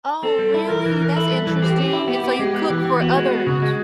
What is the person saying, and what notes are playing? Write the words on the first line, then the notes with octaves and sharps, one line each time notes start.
Oh, really? That's interesting, and so you cook for others.
C4 A4
G3
E4
E3 A#4
E3
E3
E4 A4
G3
E3
C4 G4
C4
E4
B3 G4
B3
G#3
B3
E3
E3
B3 F#4
G#3
B3
C#3
G#3